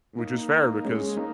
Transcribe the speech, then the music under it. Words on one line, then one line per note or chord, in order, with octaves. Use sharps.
Which is fair, because
A#3 D#4
G#3 C#4
A#3 D#4